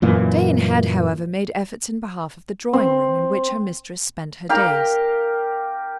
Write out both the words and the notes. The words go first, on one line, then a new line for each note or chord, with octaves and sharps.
Jane had, however, made efforts in behalf of the drawing-room, in which her mistress spent her days.
F#2 A#2 E3
C4
G4 A#4 F5